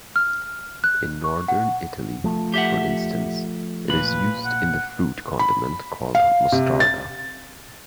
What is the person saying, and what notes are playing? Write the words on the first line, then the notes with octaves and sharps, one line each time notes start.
In northern Italy, for instance, it is used in the fruit condiment called "mostarda".
F6
F#6
C#6
F#5
F3 A3
G4 E5 F#5
A#2 B4 B5
F#5
B5
F5
C3
A6